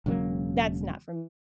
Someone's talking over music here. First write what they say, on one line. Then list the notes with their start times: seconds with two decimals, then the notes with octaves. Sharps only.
that's not for
0.06 E1 C#3 F#3 A#3